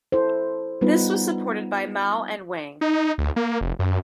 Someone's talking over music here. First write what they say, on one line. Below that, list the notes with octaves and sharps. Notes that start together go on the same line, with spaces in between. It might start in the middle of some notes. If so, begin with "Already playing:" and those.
This was supported by Mao and Wang.
E4 A4 C5
G3 B3 D#4 F4 B4
D#4
D2
A#3
F1
F#2